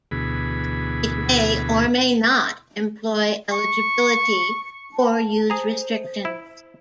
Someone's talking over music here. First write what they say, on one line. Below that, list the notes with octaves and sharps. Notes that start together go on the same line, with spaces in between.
It may or may not employ eligibility or use restrictions.
D2 B2 E3 G#4 B5
C#6
A5
G#4 C5 A#5
E4